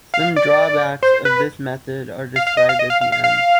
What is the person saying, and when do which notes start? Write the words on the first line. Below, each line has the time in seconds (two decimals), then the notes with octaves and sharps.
Some drawbacks of this method are described at the end.
0.14 F5
0.36 D5
1.03 C5
1.25 B4
2.36 F5
2.47 F5
2.57 D#5
2.69 F5
2.79 D#5
2.90 F5
3.01 F5
3.12 F5
3.24 F5